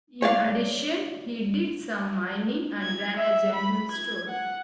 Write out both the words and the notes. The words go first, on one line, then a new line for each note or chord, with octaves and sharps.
In addition, he did some mining and ran a general store.
C#5 D5 F5
G#6
E5
B5
G#6
F#5